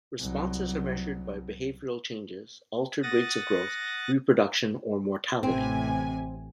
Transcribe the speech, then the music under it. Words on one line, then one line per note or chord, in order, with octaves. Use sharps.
Responses are measured by behavioural changes, altered rates of growth, reproduction or mortality.
C2 F#3
F#5 D#6 A6 A#6
A1 C3 C4 G#5